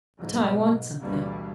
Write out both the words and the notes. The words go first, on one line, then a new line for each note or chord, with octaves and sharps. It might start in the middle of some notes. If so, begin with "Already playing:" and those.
But I want something.'
B1 G#2
D2 G2 B2 E3 G3 A#3